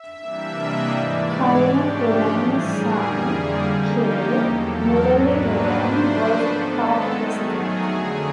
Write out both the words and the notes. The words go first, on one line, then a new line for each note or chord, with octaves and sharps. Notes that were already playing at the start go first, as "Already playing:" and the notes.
Karunakuran's son K. Muraleedharan was the party president.
Already playing: E5
C3 E3 G3 A#3 D4
D#5
G#2 E3 G#3 D5
C#5
C#3 F3 A3 D4 G4
A2 E3 G3 G#4
A#4
F2 D3 G3 A#3 G#4
G#4
C#3 F3 A#3 D#4 G4
E2 B2 F#3 A4
A#4
G#2 D#3 F#3 A#3 D4 B4
C5
C#3 F3 A3 D4
B4
D#3 G#3 B3 A4
D#3 F#3 A3 G#4
F2 D3 F#3